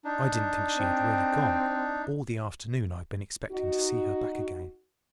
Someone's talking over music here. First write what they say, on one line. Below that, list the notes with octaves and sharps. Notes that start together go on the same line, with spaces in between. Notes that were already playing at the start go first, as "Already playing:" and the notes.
'I didn't think she had really gone; all the afternoon I've been expecting to see her back again.
D4 D#4
C4
D#4 F#4